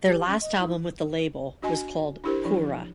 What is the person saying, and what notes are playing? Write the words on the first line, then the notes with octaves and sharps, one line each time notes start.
Their last album with the label was called "Pura".
G4
C#4
D#5
E4
D4 F#4 D#5 G#5 C6
D4 E4 G4 A#4 C5
F3 D4 E4